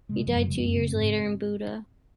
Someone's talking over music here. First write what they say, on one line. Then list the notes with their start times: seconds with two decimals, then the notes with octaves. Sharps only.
He died two years later in Buda.
0.09 C3 G#3
0.27 F#2 F3
0.37 F#3
0.43 C#3
0.49 G#3
0.60 F#2 C4
0.76 C#3
0.93 G#2